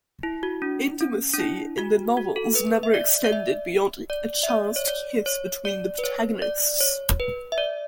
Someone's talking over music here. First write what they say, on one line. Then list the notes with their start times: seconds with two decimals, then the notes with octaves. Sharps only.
Intimacy in the novels never extended beyond a chaste kiss between the protagonists.
0.23 E4
0.43 F#4
0.62 D4
1.01 C#4
1.34 D4
1.40 E4
1.78 F#4
2.17 F#4
2.36 A4
2.55 B4
2.83 E5
2.94 D5
3.24 D5
3.32 E5
4.10 D5
4.43 E5
4.49 D5
4.76 C#5
4.88 D5
5.26 C#5
5.65 D5
5.99 B4
6.04 C#5
6.42 D5
6.80 C#5
7.20 B4
7.52 E5
7.58 D5